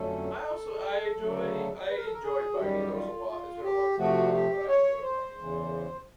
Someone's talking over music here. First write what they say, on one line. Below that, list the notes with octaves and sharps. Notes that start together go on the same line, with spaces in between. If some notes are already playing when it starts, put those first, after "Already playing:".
I also I enjoy I enjoy biking, there was a lot it's been a while since I've done it, but I enjoy biking, as well.
Already playing: F2 D3 F#3 A3 C#4 A4
D2 C#3 F#3 A3
B4
A#4
A4
A#4
G#4
F#4
F#2 D#3 G3 G4
F4
F4
G4
C3 F3 A3 F#4
G4
C#5
C5
E2 C#3 E3